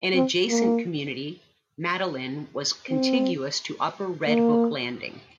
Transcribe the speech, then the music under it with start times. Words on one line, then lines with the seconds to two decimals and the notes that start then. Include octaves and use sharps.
An adjacent community, "Madalin", was contiguous to Upper Red Hook Landing.
0.14 C4
0.49 A#3
2.89 C4
4.27 A#3